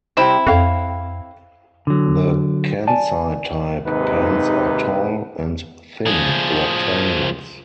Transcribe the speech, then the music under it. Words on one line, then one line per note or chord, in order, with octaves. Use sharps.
The Kansai-type pans are tall-and-thin rectangles.
C3 G3 C4 E4 G4
F2 C#5 F5 G5
D3 F#3
D5 G#5 A5
D#2 G#2 C3 D#4 B4
F3 G#4